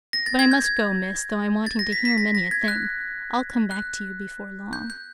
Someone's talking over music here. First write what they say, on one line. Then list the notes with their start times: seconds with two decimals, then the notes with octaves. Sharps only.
But I must go, miss, though I'm wanting to hear many a thing; I'll come back to you before long.
0.13 A#6
0.26 A6
0.39 G#6
0.51 G6
0.64 G#6
1.66 A6
1.79 A#6
1.92 B6
2.05 B6
2.18 A#6
2.35 A#6
2.51 G#6
2.68 F#6
3.71 F#6
4.73 G6
4.90 G6